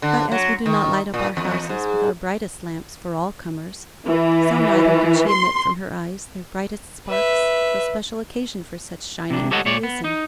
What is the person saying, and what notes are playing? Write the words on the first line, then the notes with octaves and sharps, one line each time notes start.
But as we do not light up our houses with our brightest lamps for all comers, so neither did she emit from her eyes their brightest sparks till special occasion for such shining had arisen.
D3
F#3
D#3
A#2
E2
G#2
E3
C6
B4 E5
C3 D4
G4 A4 C#5 D#5 F#5
A#2 C#5 D5
B3
D#4